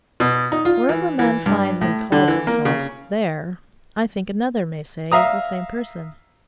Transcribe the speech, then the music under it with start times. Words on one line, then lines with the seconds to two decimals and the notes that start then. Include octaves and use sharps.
Wherever a man finds what he calls himself, there, I think, another may say is the same person.
0.20 B2
0.52 D#4
0.65 F4
0.89 E3
1.19 E3
1.46 G2
1.81 A2
2.12 D3
2.28 E3
2.47 A#3
2.65 C#3
5.12 E5 F5 A#5 D#6